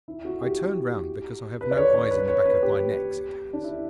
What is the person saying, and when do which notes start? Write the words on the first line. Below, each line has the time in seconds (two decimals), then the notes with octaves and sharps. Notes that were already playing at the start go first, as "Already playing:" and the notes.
'I turn round because I have no eyes in the back of my neck,' said Hans.
0.08 E4
0.25 F#4
0.41 G4
1.61 B4
1.71 D5
1.77 C#5
1.94 C#5
2.11 B4
2.28 C#5
2.45 B4
2.63 G4
3.53 D4
3.64 E4